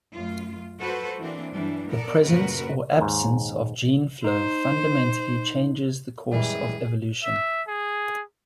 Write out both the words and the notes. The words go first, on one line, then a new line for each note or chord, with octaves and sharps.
The presence or absence of gene flow fundamentally changes the course of evolution.
F#2 A3 F4
F#4 A4 B4 C5
E3 A#3 C4 D4
G2 E3 F#3 G3 D4
B3 A4 A#4 D5
F#2 A#2 C#3 F#4 A#4 B4
D#2 G#2
D#4 C5
F#2 E3 G3 G#3 G#4
E5
G#4